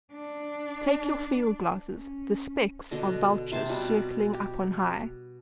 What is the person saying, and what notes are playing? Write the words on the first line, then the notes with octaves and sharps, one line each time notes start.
Take your field-glasses: the specks are vultures circling up on high!
D4
C#4
B2 D3 D#5
C3 C5 A5
B2 G3 B5
G4